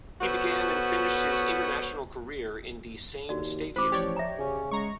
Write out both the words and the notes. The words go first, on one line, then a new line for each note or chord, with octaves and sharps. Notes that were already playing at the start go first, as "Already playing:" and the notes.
He began and finished his international career in the same stadium.
B3 C#4 F#4 A4 C5
D#2 F#4 D5
A1 C5 B5 D6
F3 G4 C#5 D5
E5 A#5
C#3 C#4
G#3 A#5 C#6